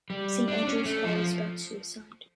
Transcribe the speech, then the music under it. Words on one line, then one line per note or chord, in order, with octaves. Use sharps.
"Saint Andrew's Fall" is about suicide.
G3
D4
C#4
A3
F3